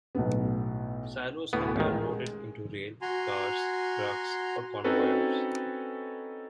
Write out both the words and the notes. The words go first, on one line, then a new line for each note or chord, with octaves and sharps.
Silos can be unloaded into rail cars, trucks or conveyors.
B1 A2 B3
D2 A2 B3
A1 D#3 G#3
F#4 G#5 A#5 C6
C4 C#4 D#4 F#4 A4 B4